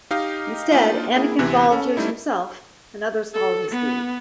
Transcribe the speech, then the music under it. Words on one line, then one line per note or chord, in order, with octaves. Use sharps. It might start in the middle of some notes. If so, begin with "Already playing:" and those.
Instead, Anakin volunteers himself and others follow his lead.
D#4 G4 D#5 F5
A#3 D4 D#4 F4
A#3 E4 G#4
D2 C3 E3 C4
C#4 A4
G3 A3 D#4 E4
A4
B3